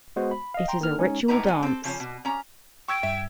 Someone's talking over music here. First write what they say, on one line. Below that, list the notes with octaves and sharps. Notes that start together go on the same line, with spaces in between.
It is a ritual dance.
G#3 B3 F#4 C5
B5
D#5 F5
G5 A#5 C6
D#3 A#3 F6
G#3 C#4 D#4
A2 B3 D#4 B4 A#5
G#3 B3
C4 A4
C#3 F3 C4 C#4
B2
C#4 A#5
G5 C#6 E6 G#6
G2 E5